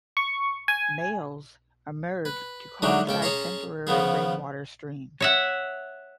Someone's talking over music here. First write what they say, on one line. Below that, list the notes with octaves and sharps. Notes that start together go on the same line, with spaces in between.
Males emerge to call beside temporary rainwater streams.
C#6
G#5
B4
D3 F#3 G#3 A3 D4 D#4
C#2 A4 G5
C#4 G#4 C#5 A5 A#5 C6
C#3 F3 B3 G#4
C#5 E5 F#5